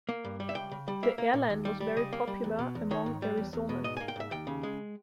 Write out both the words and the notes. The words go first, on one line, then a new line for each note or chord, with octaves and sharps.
The airline was very popular among Arizonans.
A#3
G2
G3
E5
C#2 G5
C#3
G3
A#3 E5
A#3
A#2
D#2
G3
G3
C#3 D#5
A#3
G3
E2
B2
E2
D#3 C#5
G#2
G3
E2
E2
B2
G#2 D#5
A#3 G#5
G5
G#2 E5
D#2 G5
C#3
G#3